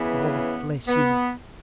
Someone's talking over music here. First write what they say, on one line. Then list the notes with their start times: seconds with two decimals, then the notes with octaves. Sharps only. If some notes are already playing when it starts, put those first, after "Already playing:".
God bless you!'
Already playing: C#3 E3 B3
0.87 B3